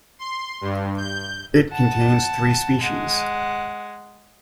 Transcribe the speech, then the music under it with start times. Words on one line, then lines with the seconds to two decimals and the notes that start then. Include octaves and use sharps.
It contains three species.
0.19 C6
0.61 G2
0.97 G6
1.70 F#5 A5
2.80 G#3 F#5